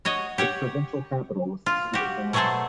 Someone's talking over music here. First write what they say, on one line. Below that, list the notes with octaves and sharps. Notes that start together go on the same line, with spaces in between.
Its provincial capital was the city of Bologna.
F#4 C#5 D#5
G4 C#5 F#5
F4
F#4 G4
B2 F#3 A3 G#4 A4 C5